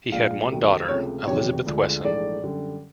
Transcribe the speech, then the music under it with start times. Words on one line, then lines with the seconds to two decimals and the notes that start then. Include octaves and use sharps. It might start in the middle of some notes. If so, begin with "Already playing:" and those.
He had one daughter, Elizabeth Wesson.
0.12 A#1 A#2 F3 G#3 F5
0.51 C2 C3 D#3 F#3 A3
0.88 C#2 C3 F3 A3 C#5
1.27 F1 E2 C3 D#3 F#3 C#5
1.66 D2 D3 F3 G#3
2.04 A#1 G#2 E3 A3 D5
2.42 F#2 D3 G3